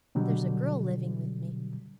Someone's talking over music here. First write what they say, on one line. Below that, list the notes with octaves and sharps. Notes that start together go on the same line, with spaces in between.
'There's a girl living with me.
B2 D3 F#3 G3